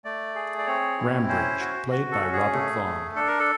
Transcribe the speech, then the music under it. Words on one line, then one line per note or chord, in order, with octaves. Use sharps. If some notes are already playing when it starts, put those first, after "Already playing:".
Rambridge, played by Robert Vaughn.
A3 D5
G#4
D5
C4 C#5
E4
C#4 C5
F#4
F#4
A4
C#4
G#4
A3
A3
D4 A4
A#4
A4